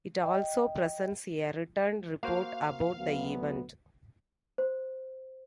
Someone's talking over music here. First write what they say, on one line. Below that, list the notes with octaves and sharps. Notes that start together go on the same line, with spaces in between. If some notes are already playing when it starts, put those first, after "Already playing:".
It also presents a written report about the event.
D#5 G5
A#3 F#4 C5 F5
D2 F#3 B3
C5